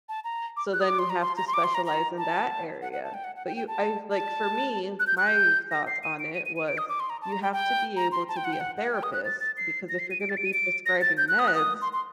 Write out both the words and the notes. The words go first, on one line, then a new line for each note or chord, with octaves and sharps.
So then you have to specialize in that area, but you I like for me, my thoughts on it was: you have to be able to be a therapist because if you're gonna be prescribing meds,
A5
A#5
D6
F#6
D#6
D6
C6
A#5
C6
A#5
C6
D6
C6
A#5
A#5
A5
F#5
F#5
A5
G5
F#5
F#5
G5
G5
A5
A5
F#6
G6
F#6
G6
A#6
C7
D#7
D7
D#7
D#7
D#7
D7
D#6
D6
C6
A#5
A5
A#5
G5
G5
A#5
C6
A5
G5
F#5
G5
F#5
F#5
G5
D#6
F#6
A6
A6
C7
A#6
C7
D#7
D7
A6
D7
D#7
D7
A#6
A6
G6
F#6
D#6
F#6
D#6
C6
C6